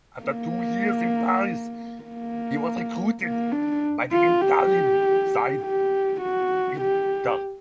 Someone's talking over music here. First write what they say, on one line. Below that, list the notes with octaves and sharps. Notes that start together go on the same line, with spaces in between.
After two years in Paris he was recruited by the Italian side Inter.
A#3
A#3
A#3
D4
F4
G4
G4
F#4
G4